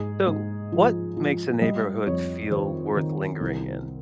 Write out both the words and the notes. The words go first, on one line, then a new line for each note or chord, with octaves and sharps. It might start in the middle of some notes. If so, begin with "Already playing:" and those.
So, what makes a neighborhood feel worth lingering in,
Already playing: G#2 G#4
G#2
F3
F3
G3 D#5
F2 C#5
D#3 C5
D#3
C2